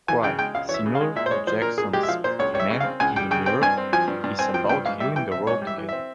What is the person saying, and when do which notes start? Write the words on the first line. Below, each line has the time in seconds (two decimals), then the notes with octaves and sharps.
"Cry", similar to Jackson's "Man in the Mirror", is about healing the world together.
0.08 E3 G#5
0.23 C#3 G5
0.39 G#3 G5
0.54 C#2 F5
0.69 E3 C#5
0.74 E5
0.86 C#3
0.95 F5
1.00 G#3
1.16 A#2 E5
1.26 C5
1.31 G#3 C#5
1.47 F3 C5
1.62 A#2 A#4
1.78 A#2 G#4
1.93 G#3 G4
2.03 E5
2.08 F3 F5
2.24 A#2 C5
2.39 C#2 C#5
2.54 G3 C#5
2.60 E5
2.70 C#3
2.80 F5
2.85 C4
3.00 C#2 G#5
3.16 G3 G5
3.31 C#3 G5
3.46 C4 G5
3.62 G2 G#5
3.78 C4
3.93 F3 G#5
4.08 G2
4.24 G2
4.39 C4 G#5
4.54 F3 G5
4.69 G2 G5
4.86 G#2 F5
5.00 G3 E5
5.16 E3 G5
5.32 C4 E5
5.47 G#2 C#5
5.62 G3
5.67 E5
5.78 E3
5.89 C4 E5